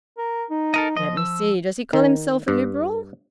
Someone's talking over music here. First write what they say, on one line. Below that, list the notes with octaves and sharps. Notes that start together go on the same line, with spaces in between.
"Let me see, does he call himself a Liberal?"
A#4
D#4
A4 A#4 D#5
F3 D#5
E6
D#3
G2